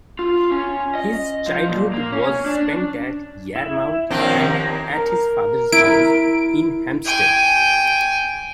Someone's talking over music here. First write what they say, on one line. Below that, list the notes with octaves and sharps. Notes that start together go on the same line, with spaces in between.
His childhood was spent at Yarmouth and at his father's house in Hampstead.
F4
C#4
D#5
F3
A#2
A#3
C#4
D4
E4
D#2 F3 C4 D4 A#4 G5
A#5
A#4
E4 D7
G5 G#5